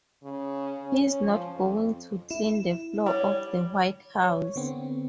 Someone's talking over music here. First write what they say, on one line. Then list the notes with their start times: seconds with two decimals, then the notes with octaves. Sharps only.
He's not going to clean the floor of the White House.
0.23 C#3
0.85 C#4
1.23 F3
1.55 F2
2.31 E4
3.06 G3 C#5
4.19 C#5
4.56 D3 B3 C4